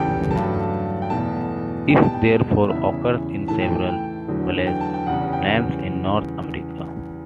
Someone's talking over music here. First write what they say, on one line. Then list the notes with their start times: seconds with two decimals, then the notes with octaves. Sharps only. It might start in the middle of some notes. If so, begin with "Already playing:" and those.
It therefore occurs in several placenames in North America.
Already playing: E2 C#3 E3 A3 G4 A4 G5
0.31 G2 F#3 A3 A5
1.02 G5
1.10 E2 B2 A3 A5
1.90 B2 G3 G5
2.03 A5
2.14 G5
2.69 E2 C#3 E3 E5
3.48 A2 E3 A3 A5
3.62 G5
3.75 G5
3.89 G5
4.28 E2 D3 F#3 A3
4.67 G5
4.81 A5
4.94 G5
5.06 E2 C#3 G3 F#5
5.33 G5